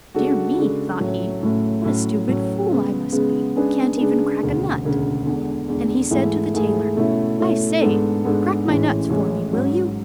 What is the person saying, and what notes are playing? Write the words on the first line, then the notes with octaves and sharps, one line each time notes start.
'Dear me,' thought he, 'what a stupid fool I must be--can't even crack a nut,' and he said to the tailor, 'I say, crack my nuts for me, will you?'
C#3 G#3 D4 F#4 A4
C#3 G#3 D4 F#4 A4
A2 F#3 A3 C#4
A2 F#3 A3 C#4
A2 F#3 C#4
A2 F#3 C#4
C#3 G#3 B3
C#3 G#3 B3
C#3 G#3 D4 G#4 B4
C#3 G#3 D4 G#4 B4
E1 D2 C#3
E1 D2 C#3
E2 D3 G#3
E2 D3 G#3
G#2 E3 A3 E4 G#4
G#2 E3 A3 E4 G#4
B2 A3 C#4 E4
B2 A3 C#4 E4
G#2 G#3 B3 D4 A4
G#2 G#3 B3 D4 A4
A1 A2 E3 G#3 C#4
A1 A2 E3 G#3 C#4
G#2 F#3 C#4